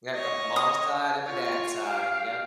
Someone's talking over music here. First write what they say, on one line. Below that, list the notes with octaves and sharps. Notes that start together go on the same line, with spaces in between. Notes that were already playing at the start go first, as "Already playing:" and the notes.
Yeah, I've got my mom's side and my dad's side, yep.
C#5 D#5
D#6
F4 C#5
G4 F5